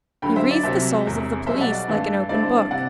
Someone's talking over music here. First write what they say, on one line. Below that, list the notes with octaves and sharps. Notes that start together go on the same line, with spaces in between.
He reads the souls of the police like an open book.
D2 D3 F#3 G5 B5
C5 E5
D5
C2 C3 F#3 C5 E5
E1 E2 C3
B1 B2 G3 C5 E5
D5 F#5
D5
G2 E3 A3 E4
G2 D3 A3 C4 E4 D5
C5
D5
C3 D5 F#5